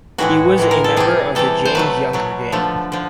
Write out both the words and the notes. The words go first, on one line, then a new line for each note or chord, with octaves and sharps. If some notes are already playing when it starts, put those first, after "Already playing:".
He was a member of the James-Younger Gang.
A2 E3 G#3 F#4
A2 E3 G#3
A#4
A4
C3 E3 G3 G#4
C3 E3 G3 A4
C5
B2 F#3 A3 B4
B2 F#3 A3
D3 F3 A3
D3 F3